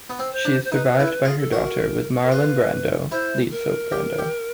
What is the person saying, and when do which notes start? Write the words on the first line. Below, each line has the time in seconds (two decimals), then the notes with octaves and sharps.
She is survived by her daughter with Marlon Brando, Lisa Brando.
0.10 B3
0.19 C4
0.32 C5
0.45 D4
0.64 C5
0.72 D#4 B4
0.99 E4
1.24 F4 G#4
1.38 A4
1.52 F#4 A#4
2.24 A#4
2.31 F4 B4
3.11 E4 C5
3.51 A#4
3.92 G4
4.18 G4